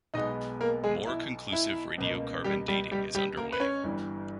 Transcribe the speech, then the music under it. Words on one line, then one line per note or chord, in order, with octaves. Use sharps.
More conclusive radiocarbon dating is under way.
B1 B2 G#3 B3 D#4 D#5
A#3 A#4
G#3 G#4
E4
E4
C#2 B2 A#3
G3 G4
G3 G4
G3 G4
G3 G4
A#3 A#4
B4
C#4 C#5
G1 G2 E3 G3